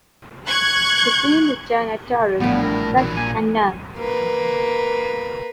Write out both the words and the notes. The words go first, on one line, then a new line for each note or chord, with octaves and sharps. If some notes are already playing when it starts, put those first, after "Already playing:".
The same is done at Terce, Sext, and None.
C#6 F#6 G#6
A#1 A2 G3 B3
A#4
E3 F#3
A#2 G#5
A#3 B4